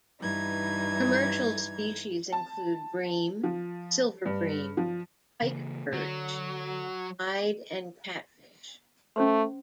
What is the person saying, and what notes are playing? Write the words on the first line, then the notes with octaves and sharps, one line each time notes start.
Commercial species include bream, silver bream, pikeperch, ide, and catfish.
G2 E3 D#4 G#6
A5
F3
G2
F3
C#3 E3 A#3
D3 F#3
A3 C#4 C5 C6